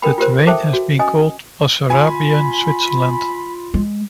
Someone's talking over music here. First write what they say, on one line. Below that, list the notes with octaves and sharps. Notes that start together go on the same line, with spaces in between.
The terrain has been called Basarabian Switzerland.
D4 A4 A#4 G5 B5
F4 G4 A#4 C5
A4 C5 E5 G5 A5 D6
F#4
C#4 D#5 G#5 D#6
F4 G#5 B5
G#3